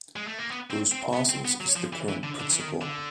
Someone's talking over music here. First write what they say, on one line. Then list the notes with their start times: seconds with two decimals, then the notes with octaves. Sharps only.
Bruce Parsons is the current principal.
0.16 G#3
0.27 A3
0.39 A#3
0.50 B3
0.70 C4
0.92 C4
1.14 B3
1.29 C4
1.45 B3
1.61 F#3
1.76 F3
1.93 E3
2.09 E3
2.24 D3
2.40 D3
2.51 E3
2.60 D#3
2.82 D3